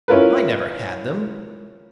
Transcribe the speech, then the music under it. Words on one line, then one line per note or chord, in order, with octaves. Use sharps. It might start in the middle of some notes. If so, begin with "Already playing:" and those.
"I never had them!"
C#4 E4 F4 A#4 B4